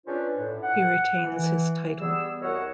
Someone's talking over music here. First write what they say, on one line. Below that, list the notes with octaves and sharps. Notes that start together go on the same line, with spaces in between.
He retains his title.
C#4 D4 F4 B4 C5 D5
A2
F#5
E3
G3 B3 G#4 E6
C2 F#4 A#4 C#5 D#5 F#5